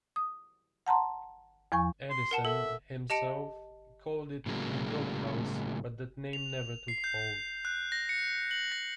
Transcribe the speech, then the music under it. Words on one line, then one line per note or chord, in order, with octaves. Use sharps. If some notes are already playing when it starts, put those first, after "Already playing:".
Edison himself called it "The Doghouse", but that name never took hold.
D#6
F#5 A5 A#5 C6
E2 F3 G#5 C#6
C6
A#4 F#5 A5
A4 E5
G4 D#5 A5 C#7 D7
A2 C#3 F#3 G#3 A#3
F7
C7
G6
F#6
A#6
C#7
F#7
A#6